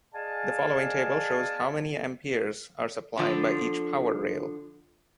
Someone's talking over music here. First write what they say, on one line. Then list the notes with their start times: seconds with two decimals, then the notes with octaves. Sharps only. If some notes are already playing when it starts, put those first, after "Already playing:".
The following table shows how many amperes are supplied by each power rail.
0.14 G#4 D5 D#5 F5 G#5 A5
3.17 D3 F3